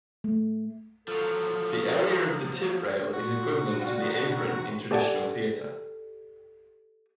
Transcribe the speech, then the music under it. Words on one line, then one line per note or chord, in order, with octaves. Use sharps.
The area of the tip rail is equivalent to the apron in traditional theatre.
A3
F3 F#3 A4
A#2 F#4
G3 F4
D#3 C5
B2 D#3 D4
C3
G4 A4 D5 D#5 F#5 G#5